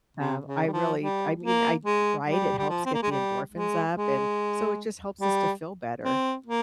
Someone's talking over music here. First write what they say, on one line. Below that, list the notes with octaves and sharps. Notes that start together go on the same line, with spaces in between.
um, I really I mean, I Right? It helps get the endorphins up, and so it just helps us to feel better.
C3
C#3
G3
F3
G3
A#3
G#3
G3
G3
F3
C4
A#3
G#3
G3
G#3
G#3
G3
C4
A#3